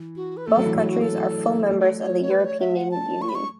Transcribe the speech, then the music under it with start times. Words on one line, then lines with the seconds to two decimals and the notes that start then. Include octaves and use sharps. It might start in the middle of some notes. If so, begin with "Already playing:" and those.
Both countries are full members of the European Union.
Already playing: E3
0.16 F#4
0.37 B4
0.46 A3 A4
0.57 F#3
0.65 E3
0.75 F#3 A4
0.89 F#4
1.01 A4
1.69 A3
2.00 C#5
2.22 C#5
2.30 B4
2.45 C#5
2.60 E5
2.76 F#5
2.91 A5
3.22 C#6
3.29 B5
3.35 C#6